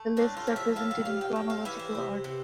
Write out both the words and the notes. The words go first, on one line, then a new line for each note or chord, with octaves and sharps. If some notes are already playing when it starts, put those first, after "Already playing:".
The lists are presented in chronological order.
Already playing: A3
A2 D4
F4
F3
E5
A2 F5
F5
G3 F5
G5
A2 G5
F5
E3 E5
C5
C3
C3